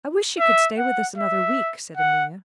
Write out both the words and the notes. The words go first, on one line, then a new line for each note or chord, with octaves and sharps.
"I wish she could stay with us another week," said Amelia.
E5
F#5
E5
F#5